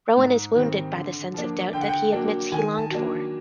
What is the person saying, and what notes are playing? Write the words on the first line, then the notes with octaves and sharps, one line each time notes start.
Rowan is wounded by the sense of doubt that he admits he longed for.
G#2
D#3 G3 C4
D3
F3 A#3 D4
D3 G5
F#5
G5
F#3 A#3 D4
D#3 G#5
A5
F#3 A#3 D4